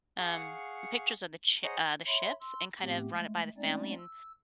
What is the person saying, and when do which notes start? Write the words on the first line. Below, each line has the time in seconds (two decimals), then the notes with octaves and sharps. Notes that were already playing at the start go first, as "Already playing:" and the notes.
um, pictures of the ch uh, the ships and kind of run it by the family and
0.18 G#4 F5 F#5 C#6
1.63 G#4 C5 C#5 D#5 F#5 A#5
2.07 C#5 E5 B5 C6
2.40 C6 E6
2.80 A2 A3 B3 C4 G4
3.12 G#3 A3
3.57 G#3 A3 C4 C#4 D#4 D5
3.98 E6